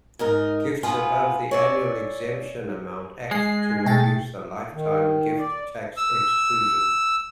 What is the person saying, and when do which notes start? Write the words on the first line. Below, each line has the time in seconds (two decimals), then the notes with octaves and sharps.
Gifts above the annual exemption amount act to reduce the lifetime gift tax exclusion.
0.19 G#2 D#4 A#4
0.83 B3 F4 G#5 B6
1.51 C#5 D5 E5
3.31 G#3 D#5 G#5 C7
3.85 B2 A3 G#4 G5 A6
4.74 D#3
5.39 D5
5.97 E6